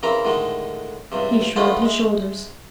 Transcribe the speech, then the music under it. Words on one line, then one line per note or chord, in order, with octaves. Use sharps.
He shrugged his shoulders.
C#3 E3 C4 A#4 E5 A#5
A2 D3 D#3 G#3
C#2 G2 C3
G#3 A3 B3 C#4 D4 F4
G#3 E5